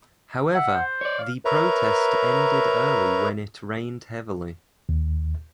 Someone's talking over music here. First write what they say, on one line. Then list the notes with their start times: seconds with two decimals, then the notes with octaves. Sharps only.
However, the protest ended early when it rained heavily.
0.55 E5 F#5
0.75 C5
1.01 C#5 D5
1.19 F5
1.45 A#4 B4 C#5 E5 A#5
4.89 D#2